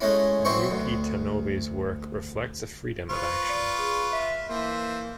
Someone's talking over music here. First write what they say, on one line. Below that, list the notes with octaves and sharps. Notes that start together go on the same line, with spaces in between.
Miyuki Tanobe's work reflects a freedom of action.
G#3 A3 C#4 E4
B1 C4 E4 C5 C#6
D2
F4 B4 C5 C#6
D5
G#4
E5
E3 A#3 C5